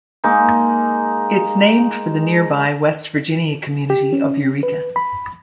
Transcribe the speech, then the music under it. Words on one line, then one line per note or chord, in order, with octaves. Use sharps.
It's named for the nearby West Virginia community of Eureka.
G#3 A#3 D#4
G4
C#4
B4
B5